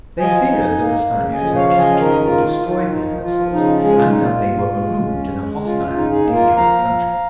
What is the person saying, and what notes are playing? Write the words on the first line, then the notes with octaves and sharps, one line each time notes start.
They feared that the Spaniards had captured or destroyed their vessels and that they were marooned in a hostile and dangerous country.
F3 D#5 G#5
D#4
A#3
C#3
D#5 G#5
F3
C#5 F5
C#3 F5
D#5 G#5
F5
D#3 A#4 D#5
F4 A#4
D#3
F4
D#3
F4
F4
F3 D#4
F3 F4
C#3 D#4
G#3 G#4
F4
D#4
A#2
F4
A#2
G#3
C#4
G#3
C#3 F4
F4
D#4
D#4 G#4
A#3
F4 A#4
F3 F5 A#5
F3